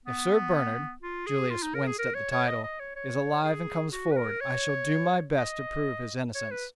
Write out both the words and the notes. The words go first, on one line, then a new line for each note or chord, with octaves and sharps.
"If Sir Bernard"--Julius winced at the title--"is alive and comes forward, I shall do my best to prove his innocence."
B3
F4
G#4
F4
D#4
A#4
G#4
A#4
C#5
C#5
D#5
D#5
C#5
C#5
G#4
F#4
B4
A#4
C#5
D#5
C#5
B4